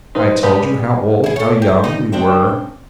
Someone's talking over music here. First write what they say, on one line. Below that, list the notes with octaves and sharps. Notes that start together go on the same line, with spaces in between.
I told you how old--how young--we were....
D#4 B4 C5
G3 G#3 G4 G#4 B4
E4 G#4
A4 C#5
G4
G2 D#4
C#3 C4 D4 C5 G5